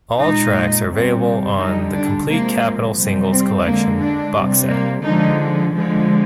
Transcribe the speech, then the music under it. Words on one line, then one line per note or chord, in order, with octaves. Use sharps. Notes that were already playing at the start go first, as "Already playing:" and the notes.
All tracks are available on "The Complete Capitol Singles Collection" box set.
A#2 G#3 D#4
C3 G3
D3 G3 D#4
D4
C3 F3 G#3 A#3
C3 G3
C4
D3 G#3 A#3
D4
C3 G3
A#3
D3 F3 G#3 D#4
D3 F3 G#3